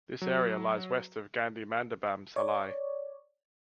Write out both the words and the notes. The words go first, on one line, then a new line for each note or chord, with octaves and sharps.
This area lies West of Gandhi Mandabam Salai.
F#3
C#5 D5